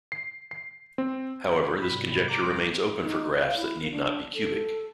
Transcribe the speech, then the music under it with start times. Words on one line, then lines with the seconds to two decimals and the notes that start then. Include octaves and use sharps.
However, this conjecture remains open for graphs that need not be cubic.
0.12 C7
0.51 C7
0.98 C4
1.82 G#2 C3 G3 B5
2.28 A#5 D6
3.00 D#4
3.40 F5
3.56 E4
3.80 A#3
3.91 D4
4.34 A4